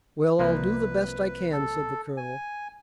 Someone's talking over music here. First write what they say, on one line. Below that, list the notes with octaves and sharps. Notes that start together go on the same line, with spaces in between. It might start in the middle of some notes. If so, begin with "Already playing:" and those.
"Well I'll do the best I can," said the colonel.
C2 F3 A#3 B4
A4
G#5